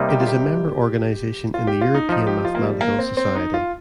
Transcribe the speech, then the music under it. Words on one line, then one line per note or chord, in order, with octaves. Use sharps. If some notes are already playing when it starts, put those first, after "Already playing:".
It is a member organization in the European Mathematical Society.
Already playing: C3 G3 A#3 D#4
G4
F4
G4
F4
G4
F4
D#4
F3 D#4
G4
F4
A#3
G3
A#3
C4
C4
D#4
F4